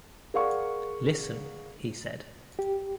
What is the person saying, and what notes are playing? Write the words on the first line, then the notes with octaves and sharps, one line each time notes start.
"Listen," he said.
G#4 A#4 D5 F5 F#5 C#6
G4